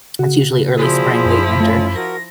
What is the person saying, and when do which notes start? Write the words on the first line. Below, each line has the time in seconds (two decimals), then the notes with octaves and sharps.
it's usually early spring, late winter.
0.19 C#3 F#4
0.77 A#2 F3 E4 G#4 C5
1.25 F#2
1.60 A3 C#4 F4
1.96 F#4 A#4 A#6